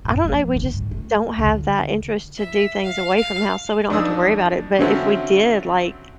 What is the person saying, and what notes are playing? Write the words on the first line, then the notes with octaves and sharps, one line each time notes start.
I don't know, we just don't have that interest to do things away from the house, so we don't have to worry about it, but if we did, like
F#2 A#2
F3 A#3
F#1 D3
G#2
A3
D2 D3
E5
F5
F5
F2 D4 D#4 D#6 E6
D3 F#3 C4 C#4 E4